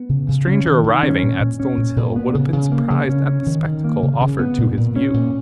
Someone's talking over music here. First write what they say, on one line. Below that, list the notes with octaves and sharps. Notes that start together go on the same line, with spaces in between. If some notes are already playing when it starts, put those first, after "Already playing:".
A stranger arriving at Stones Hill would have been surprised at the spectacle offered to his view.
Already playing: B3
C#3
C#3
C#4
D#3
D#3
C#4
A#2
A#2
C#4
A#2
A#2
B3
C#3
C#3
A#3
C#3
C#4
C#4
D#3
D#3
A#3
C#3
C#3
B3
A#2
A#2
C#4
A#2